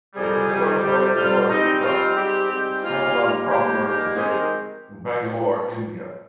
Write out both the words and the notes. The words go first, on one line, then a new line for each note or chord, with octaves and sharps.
It was started by Sivasri Trust, a small non-profit organization, in Bangalore, India.
F2 C3 G3 G#4
A#4
G#4
F2 C3 G3
F2 C3 G3 G4
F2 C3 G3 F4
G#2 G3 C4 D#4
G#2 G3 C4 F4
G#2 G3 C4 G4
G#2 G3 C4
G#2 G3 A#3 F4
G#2 G3 A#3
G#2 G3 A#3 G4
G#2 G3 A#3
D#3 G#3 C4 G4 G#4 C5
A#4